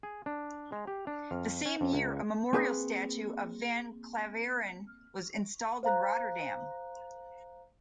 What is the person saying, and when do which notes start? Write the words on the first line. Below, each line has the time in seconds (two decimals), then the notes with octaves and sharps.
The same year a memorial statue of van Klaveren was installed in Rotterdam.
0.03 G#4
0.26 D4
0.72 G#3
0.87 G4
1.07 D4
1.31 F2
1.65 C#4
1.81 F2
1.93 C#2
2.53 A#3 C4 G#4 B4 G#5
5.83 C5 F5 A#5 F#6